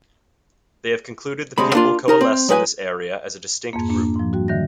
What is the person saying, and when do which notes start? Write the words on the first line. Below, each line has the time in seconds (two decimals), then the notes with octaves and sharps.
They have concluded the people coalesced in this area as a distinct group.
1.58 D2 C3 G#3 B5
1.73 A#3 D4 F4
2.08 D#4 A#4 A#5
2.21 C4
2.49 F#3 G#3 B4 F#5 G#5
3.73 F2 G#2 A#3
3.89 A#3 D4
4.16 G#2 F3
4.33 G3 F#4
4.48 D3 D#3 F#3 E5 A#6